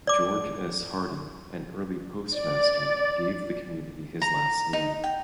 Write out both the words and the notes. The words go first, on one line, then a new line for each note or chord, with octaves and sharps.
George S. Harden, an early postmaster, gave the community his last name.
D5 D6
D5
A#5
D#4
G5